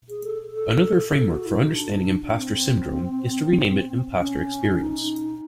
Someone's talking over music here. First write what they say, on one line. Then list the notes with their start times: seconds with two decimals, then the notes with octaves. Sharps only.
Another framework for understanding impostor syndrome is to re-name it "impostor experience".
0.09 G#4
0.24 A4
0.54 A4
1.15 A4
1.31 F#4
1.46 E4
1.61 D#4
1.75 D4
2.37 C4
4.20 C#4
4.80 D#4